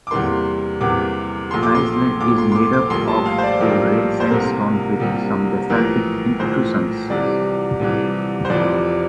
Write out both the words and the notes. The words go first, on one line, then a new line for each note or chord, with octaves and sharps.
The island is made up of Old Red Sandstone with some basaltic intrusions.
D6
E2 C3 E3 G3 A#3 C6
E2 C3 E3 G3 A#3 D6
A#1 A#2 A3 C6
D6
C6
A#1 A#2 A3 D6
C6
C6
D6
D6
A#1 A2 G3 A#3 C6
A5
F5
C5
D5
A#1 A2 G3 A#3 A#4
C5
C2 C3 G3 A#3 A#4
C2 C3 G3 A#3
A#1 A2 E3 A#4
A#1 A2 E3 C5
C2 C3 E3 G3 D5
C2 C3 E3 G3
C5
F1 F2 C3 E3 D5